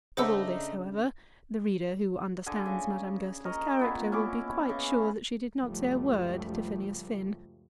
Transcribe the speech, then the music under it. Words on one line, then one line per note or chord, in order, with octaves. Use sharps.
Of all this, however, the reader who understands Madame Goesler's character will be quite sure that she did not say a word to Phineas Finn.
C#3 A3 D4 D#4 C5 E5 F#5 E6
D3 G#4 G#5
C#3
A#4 D#5 C#6
A#2 B3 E4
C#4 E4 C#6 D6
C#3
C#2 F#2 F3 G3 A3